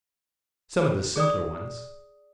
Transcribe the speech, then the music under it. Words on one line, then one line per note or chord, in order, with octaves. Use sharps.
"Some of the simpler ones."
G#4 D5 D#6